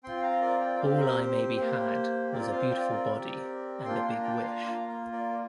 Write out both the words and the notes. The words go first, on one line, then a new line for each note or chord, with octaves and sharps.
All I maybe had was a beautiful body and a big wish.
C4 F4 G5 C6
G5
F5 A#5
A#4 D5
D5 G5
G5
C4 G4 C5 F5
A#4
C5
C5
A#3 G4
C4 F4 A#4 D5
C5 F5
D5 G5
A#4 D5
C4 G4
A#3 D4 F4 G5 C6
C6
A#5
D5 G5
C6
F5 A#5
C6
A#3 F4 F5 A#5
A#4
A#4 D5